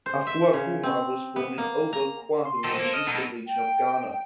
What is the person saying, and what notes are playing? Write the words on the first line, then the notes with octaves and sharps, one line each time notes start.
Afua Kuma was born in Obo Kwahu in the Eastern Region of Ghana.
C5
E5
C#3
C4
B3
A#3
A#5
C6
D#3 F#3 A4 C5
A#3
D#5 F6
B2 D#4 A4
G5